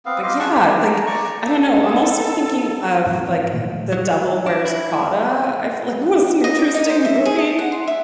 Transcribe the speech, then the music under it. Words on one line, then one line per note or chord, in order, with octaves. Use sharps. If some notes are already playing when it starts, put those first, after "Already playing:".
but yeah, like, I don't know I'm also thinking of, like, eh The Devil Wears Prada, I feel like was an interesting movie.
B3 C4 F5
F4 G4 D#5 F5
G#4 F#5 A5 C#6
G4
A5 A#5
D5 A#5 C#6
A4
G#2 E3 C4
A#2 D#3 A3
F#3
D4
E4
D#5
D5
D#4
C5
E5
G#4
A5
F#5
C6
E5